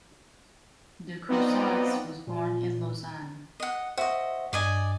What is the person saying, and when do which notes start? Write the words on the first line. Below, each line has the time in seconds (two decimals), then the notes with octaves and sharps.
De Crousaz was born in Lausanne.
1.29 B3 C4 D#4 F4 D5 D#5
2.27 A#2
3.60 D#5 F#5
3.98 F#4 C5 D#5 E5
4.53 G2 D5 D#5 G#5